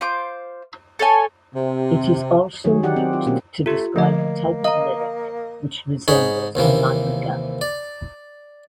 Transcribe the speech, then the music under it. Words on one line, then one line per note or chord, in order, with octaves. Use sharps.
It is also used to describe a type of lyric which resembles a madrigal.
F4 C5 D6
A4 C#5 G#5
C3
D#3 F#3 G#4 C#5
D#4 G4 D5 F#5
C4
F4
B2 A#3 C4 C#4 G4
A3 F4 G4
D3 F3 A3 A#3 D#5
D#5 F5 A#5
G#2 D#4 G#4 C#5 B5
D#2 C3 E3 A#3
D5